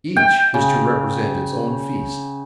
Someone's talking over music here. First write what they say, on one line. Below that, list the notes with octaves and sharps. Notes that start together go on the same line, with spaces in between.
Each is to represent its own feast.
G5
C#3